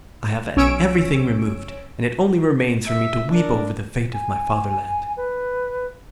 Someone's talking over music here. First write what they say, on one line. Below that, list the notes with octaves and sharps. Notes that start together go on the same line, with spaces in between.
I have had everything removed, and it only remains for me to weep over the fate of my fatherland.
B1 C#4 C#5 E6 D7
E5
D4 A#4
G#5
B4